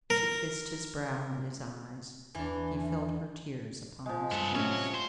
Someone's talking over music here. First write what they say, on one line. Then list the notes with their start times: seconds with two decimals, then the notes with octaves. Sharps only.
She kissed his brow and his eyes; he felt her tears upon his cheeks.
0.10 A#4
2.35 E2 E3 D4
4.06 F3 G#3
4.32 G2 B3 A4
4.55 A2 C3 C#4 F#4 C#5
4.94 C5